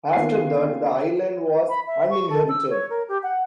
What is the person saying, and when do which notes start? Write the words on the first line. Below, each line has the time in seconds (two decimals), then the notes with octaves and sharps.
After that, the island was uninhabited.
0.13 D#3 A#3 B3 F4 G#5 C7
1.69 B5
1.87 E5
2.10 C#6
2.29 A4
2.49 E6
2.70 C#5
2.90 A#4
3.09 G4
3.23 F#5